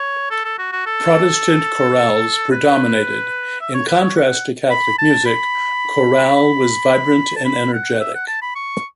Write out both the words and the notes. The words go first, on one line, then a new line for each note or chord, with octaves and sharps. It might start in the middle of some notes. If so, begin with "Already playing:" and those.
Protestant chorales predominated; in contrast to Catholic music, chorale was vibrant and energetic.
Already playing: C#5
A4
A4
F#4
F#4
A4
B4
E5
C#5
B4
C#5
F#5
B5
A5
B5
B5
A5
B5
F#5
E5
F#5
A5
B5
C#6